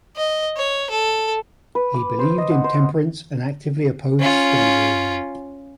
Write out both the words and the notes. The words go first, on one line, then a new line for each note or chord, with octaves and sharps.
He believed in temperance and actively opposed slavery.
D#5
C#5
A4
B4
D6
C5
D#5
F#5
C5
C#4 F4